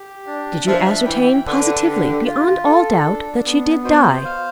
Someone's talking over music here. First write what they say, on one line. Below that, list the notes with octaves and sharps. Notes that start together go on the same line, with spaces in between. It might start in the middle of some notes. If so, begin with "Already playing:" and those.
"Did you ascertain positively, beyond all doubt, that she did die?"
Already playing: G4
D4
F3 E5
E3 G5
D3 B4
G4
F4
A4
D4
B3
B2 C5
F5